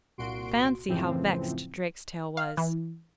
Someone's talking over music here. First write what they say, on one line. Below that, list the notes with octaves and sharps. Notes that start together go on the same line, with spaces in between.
Fancy how vexed Drakestail was!
C2 A#2 F#4 C6 D7
F#2 A2 C#3 E3 F3 C4
F5
E3